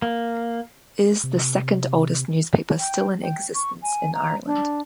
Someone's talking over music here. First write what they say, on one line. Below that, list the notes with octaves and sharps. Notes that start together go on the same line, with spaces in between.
It is the second oldest newspaper still in existence in Ireland.
A#3
C3
G5
G5
C#6
G#5
A#5
D4